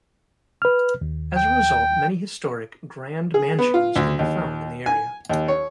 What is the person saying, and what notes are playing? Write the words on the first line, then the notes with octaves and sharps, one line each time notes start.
As a result, many historic, grand mansions can be found in the area.
B4 F6
D#2
G5
G#4
B3
F4
D2
D#2
G#5
D#2
C#5